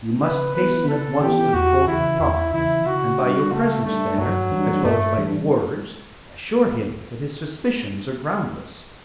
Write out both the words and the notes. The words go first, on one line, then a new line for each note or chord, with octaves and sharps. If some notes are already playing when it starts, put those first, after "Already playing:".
You must hasten at once to the court of Ptarth, and by your presence there as well as by your words assure him that his suspicions are groundless.
C#3 B4
E3 B3 E4 B4
C#3 A4
E3 B3 E4 G4
E2 F#4
C#3 E3 E4
E2 E4
C#3 E3 E4
C#3 F#4
G3 D4
C#3 A3
G3 A3 D4
G2 F#3
E3 G3 D4
G2 A3
E3 G3 D4